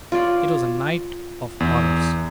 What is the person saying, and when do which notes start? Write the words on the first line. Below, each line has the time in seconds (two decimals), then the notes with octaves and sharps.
It was a night of horrors.
0.12 F4 C#5 D5
1.60 E2